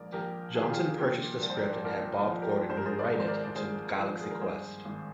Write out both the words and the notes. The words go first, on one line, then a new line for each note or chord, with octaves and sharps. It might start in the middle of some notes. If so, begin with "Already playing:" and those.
Johnson purchased the script and had Bob Gordon rewrite it into "Galaxy Quest".
Already playing: A#1 G#2 A#4 D5
A#1 G4 A#4
D#3 G#4
G4
F4 G#4
A#2 G4 A#4
C2 D5
C5
A#4 D5
C2 A#4 D5
F3
G4 A#4
G#2 C5
A#4
G#4 C5
A#4 D5
G#1
C5
A#4 D5
D5
G#1 G#4 C5
F3
G#4
A#4
G2 G#4 C5
G#1